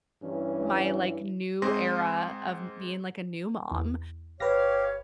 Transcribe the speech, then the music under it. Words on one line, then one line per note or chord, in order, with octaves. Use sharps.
my, like, new era of being, like, a new mom,
G2 E3 C#4
G#2 C4 G#4 C6 A#6
E2
G1 G4 B4 C#5 F5 A#6